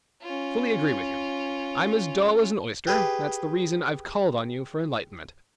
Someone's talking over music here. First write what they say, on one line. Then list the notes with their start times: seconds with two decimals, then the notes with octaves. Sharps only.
I fully agree with you! I’m as dull as an oyster; that’s the reason I’ve called on you for enlightenment.
0.22 C#4 F4
2.87 G4 G#4 B4